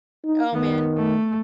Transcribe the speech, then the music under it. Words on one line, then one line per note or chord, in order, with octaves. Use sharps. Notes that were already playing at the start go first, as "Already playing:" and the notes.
Oh, man.
D#4
D#3 B3
A3